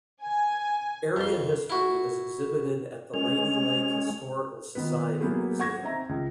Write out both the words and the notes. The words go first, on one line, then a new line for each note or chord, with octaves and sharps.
Area history is exhibited at the Lady Lake Historical Society Museum.
G#5
F2 C6
E4 F#4
G#3 C#4 F7
D#3 B3 F4 B4
F#3 A#3 B3 E4 G4 G#4
F#5 C#6 G#6 A#6
C4 D#4 E5 A#5
C#2